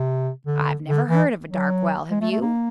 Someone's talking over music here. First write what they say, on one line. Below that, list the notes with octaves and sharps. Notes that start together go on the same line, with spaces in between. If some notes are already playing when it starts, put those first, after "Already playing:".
"I've never heard of a dark well; have you?"
Already playing: C3
D3
D3
E3
F#3
G#3
A3
A3
A#3